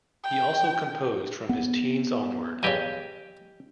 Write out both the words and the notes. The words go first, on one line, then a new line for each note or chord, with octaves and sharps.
He also composed from his teens onward.
G5
B3
E2 G2 C#3 G4 D#5 G#5